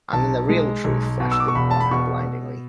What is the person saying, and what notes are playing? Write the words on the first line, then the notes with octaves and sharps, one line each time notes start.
And then the real truth flashed in upon her blindingly.
B1 A5
G#3
B1
B2
E6
D6
C#6
E1 B5
A5
B5
B2 C#6